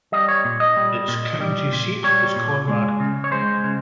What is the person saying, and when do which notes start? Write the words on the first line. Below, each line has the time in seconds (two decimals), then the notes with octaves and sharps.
Its county seat is Conrad.
0.12 G3 D#5
0.28 C#5
0.45 A#2
0.60 D#5
0.76 G3
1.08 A#2
1.41 G3
1.72 A#2
2.04 G3 C#5
2.36 A#2
2.68 G#3
3.00 C#3
3.24 C#5
3.32 G#3 C5
3.64 C#3